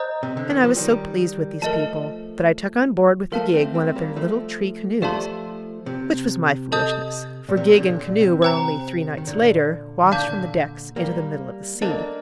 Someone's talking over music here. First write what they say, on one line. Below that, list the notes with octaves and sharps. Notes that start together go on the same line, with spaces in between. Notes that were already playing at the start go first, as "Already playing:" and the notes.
And I was so pleased with these people, that I took on board with the gig one of their little tree-canoes: which was my foolishness: for gig and canoe were only three nights later washed from the decks into the middle of the sea.
Already playing: C5 D#5 A#5 D#6 G6
C3
D3
D#3
F3
D#3 G3
F3 A3 A#4 D#5 A5
F3 A3 A#4 F5 A5
A3 C4
A3 C4
G3 A#3
F3 A3
F3 A3 G4 D5 F5 A5 C6
C3
A4 D#5 A5 D#6 G6
A#2
C3
C3
A#2 D3
A#2
C3
C5 G5 A#5
D#3
A#2 D3
D#3
A#2 D3 F5 A5 D6 G6
G3 A#3
A#3 D4 A4 C5 D#5 A5